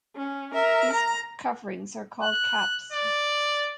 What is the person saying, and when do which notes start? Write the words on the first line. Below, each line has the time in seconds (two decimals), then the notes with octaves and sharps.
These coverings are called "caps".
0.16 C#4
0.55 A#4 E5
0.93 A#5
2.23 F#6
2.92 D5